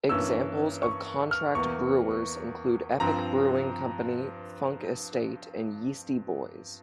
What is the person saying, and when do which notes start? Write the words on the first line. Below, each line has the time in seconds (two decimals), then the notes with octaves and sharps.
Examples of contract brewers include Epic Brewing Company, Funk Estate and Yeastie Boys.
0.09 G2 E3 A#3 C#4 E6
0.83 C#6
1.31 F6
1.55 E2 E3 A#3 C#6
3.00 G2 F3 C4 A#5